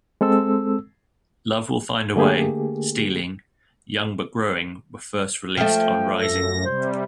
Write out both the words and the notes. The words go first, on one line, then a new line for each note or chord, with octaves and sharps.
"Love Will Find a Way", "Stealing", "Young But Growing" were first released on "Rising".
G#3 C4 A4 E6
D3 A3 A#3 G4 G#4
F3 A3 G5
F#2 A4 A#6
C3 G3 C5